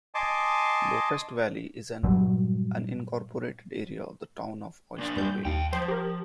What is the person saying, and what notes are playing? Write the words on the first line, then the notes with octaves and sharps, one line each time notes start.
Locust Valley is an unincorporated area of the Town of Oyster Bay.
D#5 G#5 A5 C6 D6
G2 A#2 F#3 G3
A#2 D4
G2 G6
D#2 F5 G5
F3 C5
G4 A#4